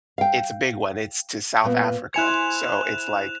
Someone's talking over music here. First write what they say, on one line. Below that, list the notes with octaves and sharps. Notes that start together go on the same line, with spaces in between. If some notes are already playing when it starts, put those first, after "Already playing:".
it's a big one, it's to South Africa. So it's like
F5 G5
A#2 B3
E4 C5 G#5 F#6 C#7 E7 F7